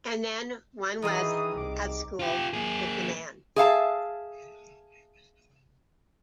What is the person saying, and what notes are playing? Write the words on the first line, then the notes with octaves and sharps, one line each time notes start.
And then one was at school with the man.
D#3 E3 D#4 G#4 D#6
C2 D6
F4 G4
A#3 G#4
G#4 E5 F5 A5